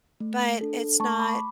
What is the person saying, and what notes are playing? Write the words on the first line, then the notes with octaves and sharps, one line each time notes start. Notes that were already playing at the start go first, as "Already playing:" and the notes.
but it's not
A3
D4 A4
A3 A5 C#6
B5 D6